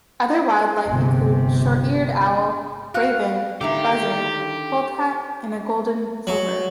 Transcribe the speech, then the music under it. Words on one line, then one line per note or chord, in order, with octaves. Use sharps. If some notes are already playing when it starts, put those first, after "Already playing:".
Other wildlife include short-eared owl, raven, buzzard, polecat and golden plover.
G1 C3
F#4 F5 F#6
D3 D#3 E4 G4
F#3